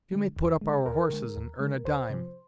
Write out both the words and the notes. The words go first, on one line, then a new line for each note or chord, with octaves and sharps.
"You may put up our horses and earn a dime."
D3 G#3
D#2
D3 G#3
D#2 A#4
D3 G#3
D#2
D3 G#3
D2 C5
C3 F3